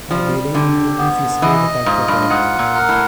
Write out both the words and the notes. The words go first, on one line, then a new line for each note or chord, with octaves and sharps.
Ideally it would be feasible without copyright.
F3 G3
D3 G4
B3
E3 D#5
G#2 F4
G2
G#2 F#5
A#2
A#4
A2